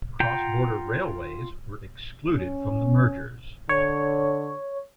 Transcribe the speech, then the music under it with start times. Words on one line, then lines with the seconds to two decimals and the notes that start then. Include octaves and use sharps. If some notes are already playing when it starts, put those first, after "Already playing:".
Cross-border railways were excluded from the mergers.
0.20 F4 F#5 G5 A#5 G6
2.37 C#4
3.69 D3 C#5